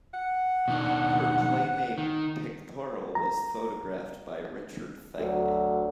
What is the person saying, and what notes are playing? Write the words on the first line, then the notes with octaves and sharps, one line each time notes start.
Her Playmate pictorial was photographed by Richard Fegley.
F#5
B2 D#3 D4
D#3
A#5
D2 F#3